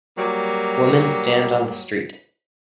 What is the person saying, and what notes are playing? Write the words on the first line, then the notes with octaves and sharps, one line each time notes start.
Women stand on the street.
F#3 G3 A#3